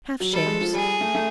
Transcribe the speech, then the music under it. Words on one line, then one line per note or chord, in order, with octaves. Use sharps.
"Half shares."
F#3
G3 A4
G#3
F3
G3 G#4
A3
A3